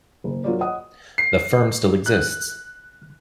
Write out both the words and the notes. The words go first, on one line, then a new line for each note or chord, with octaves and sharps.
The firm still exists.
F#1
F#3 A#3 F4 C#5 D5
C#5 D#5 F#5 D#6
C7
F#6